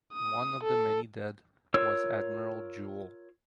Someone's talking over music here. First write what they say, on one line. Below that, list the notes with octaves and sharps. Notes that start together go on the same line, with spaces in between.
One of the many dead was admiral Juel.
D#6
A4
F4 A#4 C#5 E6